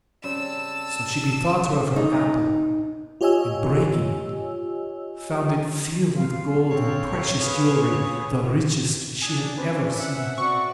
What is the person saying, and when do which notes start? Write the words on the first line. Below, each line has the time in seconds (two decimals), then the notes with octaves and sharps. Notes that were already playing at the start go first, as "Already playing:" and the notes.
So she bethought her of her apple, and breaking it, found it filled with gold and precious jewelry, the richest she had ever seen.
0.24 C#3 G3 C4 A5 E6
1.96 D#4
3.21 F4 G4 C#5 D#5 G#5 E6
6.16 F4 F5
6.71 C4 A4 C#5
7.40 G#4 B4
9.22 D4 G#5 D#6 G#6
9.57 C4 C#4 B4 C5
9.95 E5 F#5
10.38 C4 F#4 D5 C#6